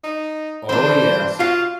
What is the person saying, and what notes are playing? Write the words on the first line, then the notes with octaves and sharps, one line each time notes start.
Oh yes.
D#4
E3 D4 C5
F4 F#4 F5